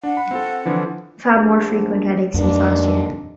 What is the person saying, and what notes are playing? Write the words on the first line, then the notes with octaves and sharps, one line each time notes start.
I've had more frequent headaches since last year.
D4 F#5
B5
C4 F4 A4
D3 E3 F3
A#1
F2 A#2 D#3 G#3 D4